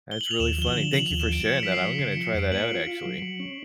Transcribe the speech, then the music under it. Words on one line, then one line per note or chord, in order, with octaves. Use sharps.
That's really funny. Thank you for sharing that, I'm gonna try that out, actually.
G7
F#7
F7
D#2 E7
F3 G7
F#7
D3
F3 F#7
F7
D#2
E7
F3 D7
F3 C#7
F3 B6
C7
F3
C#3 C7
C#7
F3
C#7
F2 D7
A#3 F#7
F4
F4
F#3
F#3
C#4